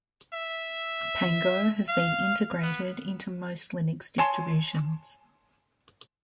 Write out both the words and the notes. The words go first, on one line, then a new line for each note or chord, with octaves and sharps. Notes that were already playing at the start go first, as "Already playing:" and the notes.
Pango has been integrated into most Linux distributions.
E5
F5
B3
C#5 G#5 A5 C6